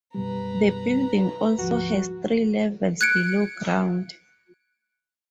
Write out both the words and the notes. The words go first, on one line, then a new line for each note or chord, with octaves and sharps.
The building also has three levels below ground.
F#2 B2 G3 B4 A#5
D2 G#2 F3 F#4
F#6 G#6 C#7 D7